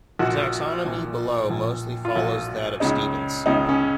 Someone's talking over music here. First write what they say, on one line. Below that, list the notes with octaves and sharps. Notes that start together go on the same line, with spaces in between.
The taxonomy below mostly follows that of Stevens.
A#1 A#2 F#4
A#1 A#2
A#1 A#2
F4
A#1 A#2 F#4
C#2 C#3 D#4
C#2 C#3 D#4
C#4